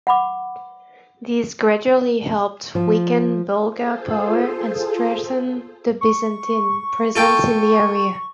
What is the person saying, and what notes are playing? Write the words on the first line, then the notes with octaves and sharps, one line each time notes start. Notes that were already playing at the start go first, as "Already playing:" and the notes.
These gradually helped weaken Bulgar power and strengthen the Byzantine presence in the area.
F#5 B5 D6
F3
F4 G#4 A4 C5
C#6
F4 A4 G5